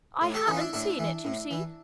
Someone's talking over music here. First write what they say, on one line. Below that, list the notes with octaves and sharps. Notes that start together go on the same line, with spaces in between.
"I haven't seen it, you see."
A2
G4 A4
E3 C#4 D#4
F4
D4 E4
A2 D4 E4
E3
A2
E3